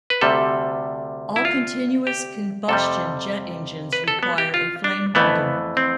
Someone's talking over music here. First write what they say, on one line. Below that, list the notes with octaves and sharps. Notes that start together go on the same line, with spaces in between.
All continuous-combustion jet engines require a flame holder.
B4
D2 C3 G3 A4
E4
F4
G4
F2 C3 G3 A4
B4
A4
B3
G4
F4
D4
F2 E3 A3 B3
C4